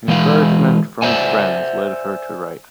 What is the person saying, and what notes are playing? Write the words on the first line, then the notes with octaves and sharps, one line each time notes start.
Encouragement from friends led her to write.
E3 G#3 B4 F5
C5 D5 E5 F#5 G#5